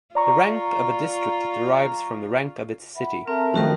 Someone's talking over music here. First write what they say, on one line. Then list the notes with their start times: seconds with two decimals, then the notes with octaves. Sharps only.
The rank of a district derives from the rank of its city.
0.15 F4 D5 A#5 C#6
2.95 E5 F#5 B5
3.28 C4 A4 A#4 E5 A5
3.54 D#3 F3 A3 C#4 F#4 A#4